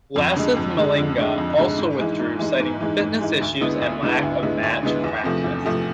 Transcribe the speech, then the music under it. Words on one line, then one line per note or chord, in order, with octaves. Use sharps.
Lasith Malinga also withdrew citing fitness issues and lack of match practice.
F2
D3 G#3
F2
D3 G#3
F2
D3 G#3
F2
D3 G#3
G#2
E3 G#3
G#2
E3 G#3
G#2
E3 G#3
G#2
E3 G#3
D2
D3 G#3 B3 E4
D2
D3 G#3 B3 E4
D2
D3 G#3 B3 E4
D2
D3 G#3 B3 E4
E2
C3 F3 A3
E2
C3 F3 A3